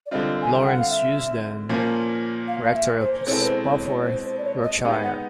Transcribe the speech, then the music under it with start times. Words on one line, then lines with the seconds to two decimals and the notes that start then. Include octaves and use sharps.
Laurence Eusden, rector of Spofforth, Yorkshire.
0.06 D5
0.11 D3 G3 C4 F4 D#5
0.42 G#5
0.53 G5
0.66 F#5
0.78 F5
0.90 E5
1.69 A#2 F3 A#3 C#4
2.48 F5
2.64 F5
2.74 E5
3.01 C5
3.21 C5
3.27 B2 G#3 C4 E4 A4 C#5
3.40 B4
3.46 C5
3.66 C#5
3.86 C#5
4.05 C5
4.25 C5
4.38 D5
4.45 C#5
4.64 D#5
4.84 G#3 B3 D#4 G4 F5
5.04 F#5